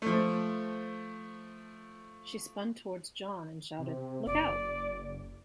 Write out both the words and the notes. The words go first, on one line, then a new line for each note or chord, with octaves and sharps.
She spun towards John and shouted, "Look Out!"
F3 A3
C3
F#1 D5